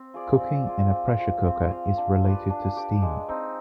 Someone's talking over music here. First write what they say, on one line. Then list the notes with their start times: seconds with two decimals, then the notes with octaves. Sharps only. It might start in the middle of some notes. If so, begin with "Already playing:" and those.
Cooking in a pressure cooker is related to steam.
Already playing: C4
0.14 F4 G#4 D5
0.40 C4
0.66 F4 G#4 D5
0.92 C4
1.18 F4 C5 F5
1.45 C4
1.71 F4 C5 F5
1.97 D4
2.24 G4 B4 D5
2.50 D4
2.76 G4 B4 D5
3.02 G#3
3.28 C4 D#4